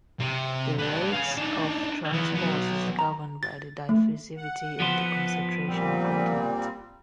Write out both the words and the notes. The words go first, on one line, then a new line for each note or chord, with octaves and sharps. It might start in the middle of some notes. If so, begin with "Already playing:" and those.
The rate of transport is governed by the diffusivity and the concentration gradient.
C3
D4 B4
G#4 F5
D4 D#4
E3 B3
F#3 B3
A#5
A6
A3
F#5
F3 B3 C5
A#2 G3 C4